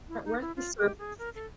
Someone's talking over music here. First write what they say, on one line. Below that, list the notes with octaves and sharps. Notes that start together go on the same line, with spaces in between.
weren't the surfers
E4
D#4
E4
F4
G4
G#4
A#4
A4